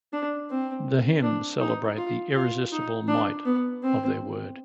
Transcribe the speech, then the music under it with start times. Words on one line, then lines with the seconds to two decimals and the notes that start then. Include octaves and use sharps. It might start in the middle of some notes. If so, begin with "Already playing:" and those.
The hymns celebrate the irresistible might of their word.
0.13 D4
0.50 C4
1.23 D4
1.60 D#4
1.98 F4
2.35 F4
2.72 D#4
3.08 D4
3.45 B3
3.83 C4